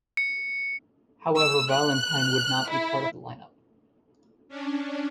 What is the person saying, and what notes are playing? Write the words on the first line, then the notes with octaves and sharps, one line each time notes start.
However Valentine would not be part of the lineup.
C#7
E6
F#6
E4
C#4 D4